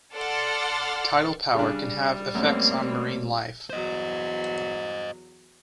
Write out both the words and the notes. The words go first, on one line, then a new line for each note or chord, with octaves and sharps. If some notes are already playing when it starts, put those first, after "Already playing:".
Tidal power can have effects on marine life.
A4 D5 F#5 C6 F6 A6
C#3 G3 D4
F#2 A3 A#3 C4 C#5
E2 F#3 C5 D#5